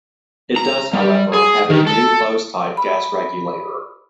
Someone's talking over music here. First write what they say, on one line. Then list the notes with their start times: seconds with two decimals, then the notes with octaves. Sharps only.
It does, however, have a new closed-type gas regulator.
0.56 A#5
0.93 G3
1.34 G#4
1.70 D#3
1.87 A4
2.77 B5